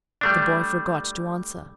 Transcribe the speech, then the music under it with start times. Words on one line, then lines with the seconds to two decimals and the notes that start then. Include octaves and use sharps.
The boy forgot to answer.
0.21 G3 A3 D4